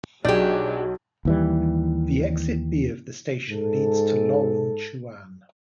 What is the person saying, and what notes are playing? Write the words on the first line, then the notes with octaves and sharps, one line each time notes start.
The Exit B of the station leads to Lorong Chuan.
B1 F#3 D4 G4 G#4 D5 D#5 G6
D#2 E3 G3
G#2 A4